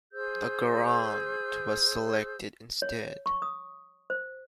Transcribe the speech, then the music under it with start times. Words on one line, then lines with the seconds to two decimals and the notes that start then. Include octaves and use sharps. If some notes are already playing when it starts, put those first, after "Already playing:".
The Garand was selected instead.
0.12 G#4 C5 E6 G6
2.82 C#5
3.26 C#6
3.42 D#6
4.10 C5